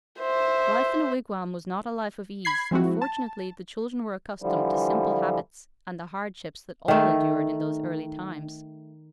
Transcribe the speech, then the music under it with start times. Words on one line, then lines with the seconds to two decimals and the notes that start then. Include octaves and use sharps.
Life in a wigwam was not a life of ease, and fortunately the children were accustomed to simple habits and the hardships that all endured in those early times.
0.20 C5 E5
2.45 B5 G#6 C7
2.71 F3 G#3 C4 E4 F#4
3.02 A5
4.42 D3 E3 F3 G3
6.88 D#3 A3